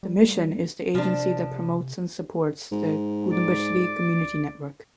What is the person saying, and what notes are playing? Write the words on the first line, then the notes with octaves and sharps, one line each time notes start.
The Mission is the agency that promotes and supports the Kutumbashree community network.
G3
C3 F3 D4
G#2
D5